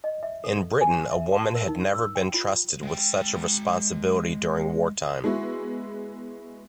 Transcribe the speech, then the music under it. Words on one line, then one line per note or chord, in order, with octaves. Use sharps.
In Britain a woman had never been trusted with such a responsibility during wartime.
D#5
E5
A4
G#5
E5
A5
A#4
D#4
E6
G5
F4
G#3 G5
G#3 B3 E4 F#4